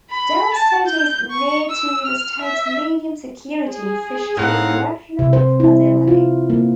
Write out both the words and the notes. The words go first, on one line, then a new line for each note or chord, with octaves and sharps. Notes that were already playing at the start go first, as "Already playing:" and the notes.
Downstate is near to the state's medium security Fishkill Correctional Facility.
B5
A5
G6
C#6
E6
F6
E5
G#4
A2 C4 D#4 F5 F#5
C3
C5
E4
F4
A#3